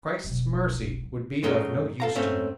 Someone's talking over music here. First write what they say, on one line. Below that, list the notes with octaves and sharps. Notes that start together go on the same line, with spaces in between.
Christ's mercy would be of no use to me.
E1 B1
F#2 G#3 A3 C#4 D#4
A4 F5 A#5
G#2 A3 C4 C#4